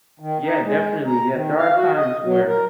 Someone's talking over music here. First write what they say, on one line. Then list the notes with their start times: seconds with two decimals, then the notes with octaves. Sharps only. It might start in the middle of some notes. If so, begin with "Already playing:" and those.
Yeah, definitely. Yeah, there are times where
0.19 D#3
0.43 D#4
0.63 G#3
1.06 A#5
1.31 D#3
1.58 F5
1.76 F#4
1.97 D#5
2.24 F#3
2.47 A#4